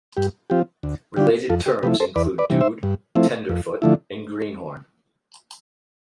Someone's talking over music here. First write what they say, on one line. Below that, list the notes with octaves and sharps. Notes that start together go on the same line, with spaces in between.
Related terms include dude, tenderfoot, and greenhorn.
G2 G4
F3 C4 F4 G4
D2
D3 G3 D4 F4 G4
F2 F4 A4
G4
C3 F3 A3 E4 G4 B4
A4 C5
E2 B4 D5
B4 D5
C3 E3 G3
C5 E5
G2
F3 A3 C4 E4
F2
D3 F3 A3 E4